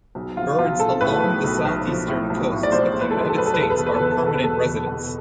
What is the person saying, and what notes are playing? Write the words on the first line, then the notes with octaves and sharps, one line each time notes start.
Birds along the southeastern coasts of the United States are permanent residents.
B1
F3 F4
B1 F4
B1 A4
A2 B4
B1
B1
B1
F3
A2
B1
A2
D5
F3 C5
A2
B4
A4
B1 B4
A4
B1 B4
A4
B4
E2 A4
B4
E2 A4
B4
A4
E2 B4
A4
B4
B2 A4
B4
E2 A4
E2
B2